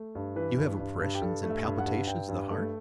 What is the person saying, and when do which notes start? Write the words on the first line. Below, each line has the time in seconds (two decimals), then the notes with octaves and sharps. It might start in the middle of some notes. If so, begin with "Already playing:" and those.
You have oppressions and palpitations of the heart?
Already playing: A3
0.15 G2
0.36 E3 B4
0.58 G2
0.79 G2
1.01 G2
1.15 G4
1.22 G2 A4
1.43 A3
1.50 E5
1.64 G2
1.78 F#5
1.86 G2
2.07 G2 G5
2.28 G2
2.51 A3